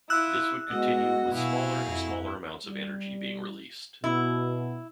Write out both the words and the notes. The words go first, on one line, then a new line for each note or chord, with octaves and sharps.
This would continue, with smaller and smaller amounts of energy being released.
E4 F4 E6 F#6
G#3 B3 F#4 D#5
B2 F#3 E4 G#4 F5
F2 E4
G3
B2 E4